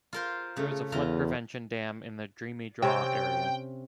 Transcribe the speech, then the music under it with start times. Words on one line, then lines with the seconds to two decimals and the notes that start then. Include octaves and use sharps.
There is a flood prevention dam in the "Dreamy Draw" area.
0.13 F4 A#4 C5
0.57 C#3 A3
0.92 E2 E3 F4 A#5
2.82 C3 C4 C#4 G5